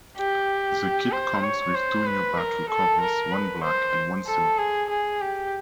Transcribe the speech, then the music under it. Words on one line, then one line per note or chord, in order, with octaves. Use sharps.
The kit comes with two new battery covers, one black and one silver.
G4
C5
C#5
C5
B4
A#4
A4
A#4
B4
C5
A4
G#4
G#4
G4